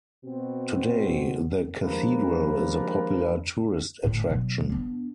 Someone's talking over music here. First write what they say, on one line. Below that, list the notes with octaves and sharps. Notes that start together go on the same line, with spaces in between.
Today, the cathedral is a popular tourist attraction.
B2 C4 F#4
D#2 F3 G#3 D4 A#4 B4
A2 D3
B2 F#3
B3 D4